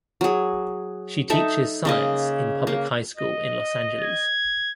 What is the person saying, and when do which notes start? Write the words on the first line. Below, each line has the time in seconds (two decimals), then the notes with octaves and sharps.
She teaches science in public high school in Los Angeles.
0.21 F#3 G#4
1.30 D#4 A4 E5
1.85 C#3 A#3 D#5
2.67 A#3
3.17 D#5
4.01 G#6